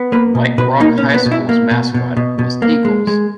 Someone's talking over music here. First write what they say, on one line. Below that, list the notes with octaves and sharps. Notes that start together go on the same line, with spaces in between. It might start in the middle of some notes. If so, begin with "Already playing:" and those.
White Rock High School's mascot was Eagles.
Already playing: B3
A#3 B4
B2
B2 B4
A#3 D#4
C#4
B2
B3
B2
E4
A#3
B2
B2
B2
B2
A#3
G#3
G#3